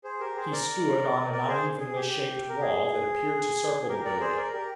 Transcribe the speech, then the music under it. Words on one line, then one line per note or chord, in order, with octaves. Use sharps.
He stood on an unevenly shaped wall that appeared to circle the building.
G#4 C5
G4 A#4
G#4 C5
A#4 D5
A#4 D5
G#4 C5
G#4
G4
A#4
G#4
G#4
G4 A#4
A#4 D5
G#4 C5
A#4 D5
G4 A#4